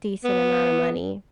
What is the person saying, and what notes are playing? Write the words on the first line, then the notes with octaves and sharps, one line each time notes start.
decent amount of money
B3